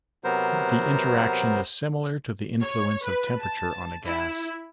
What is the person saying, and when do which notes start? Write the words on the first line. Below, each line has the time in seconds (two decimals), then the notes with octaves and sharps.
The interaction is similar to the influence of temperature on a gas.
0.24 C3 F#3 B3 A#4 C5
2.60 C#5
3.04 B4
3.40 A5
4.06 E4